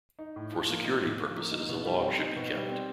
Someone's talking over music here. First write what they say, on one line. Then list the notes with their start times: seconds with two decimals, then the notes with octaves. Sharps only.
For security purposes, a log should be kept.
0.19 D#4
0.36 A2
0.52 F3
0.69 A#3
0.85 D#4
1.02 A2
1.19 F3
1.36 A#3
1.52 D#4
1.68 B2
1.85 G3
2.02 C4
2.19 D#4
2.36 B2
2.53 G3
2.69 C4